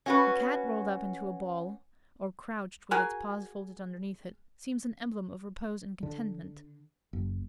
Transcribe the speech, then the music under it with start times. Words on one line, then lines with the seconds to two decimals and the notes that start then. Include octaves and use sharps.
A cat rolled up into a ball, or crouched with its paws folded underneath it, seems an emblem of repose and contentment.
0.06 C#4 F#4 B4
2.91 F#4 G#4 A#4 G#5
6.03 D3
7.13 F#1